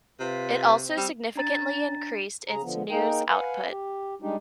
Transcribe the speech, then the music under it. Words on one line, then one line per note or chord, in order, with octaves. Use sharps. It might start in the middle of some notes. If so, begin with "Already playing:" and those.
It also significantly increased its news output.
C3 F4 B4
C4
G3
D4 A#5 A6
C#3 G#4 A#5
D3 F3 B3
A#3 D#4 G#4 A#4 G5
B4 F5 F#5 G#5
G4
G3 G#3 D4 D#4 G4